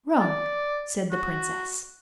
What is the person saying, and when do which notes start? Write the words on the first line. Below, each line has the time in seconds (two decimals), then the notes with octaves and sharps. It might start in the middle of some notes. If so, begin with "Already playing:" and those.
'Wrong,' said the Princess.
0.20 D5
1.12 F#4